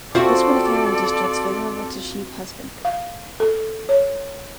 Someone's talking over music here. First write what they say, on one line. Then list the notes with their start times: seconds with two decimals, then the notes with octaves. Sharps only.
This would occur in districts favourable to sheep husbandry.
0.15 C4 F4 F#4 A4 D5 E5
2.85 F5
3.40 A4
3.89 C#5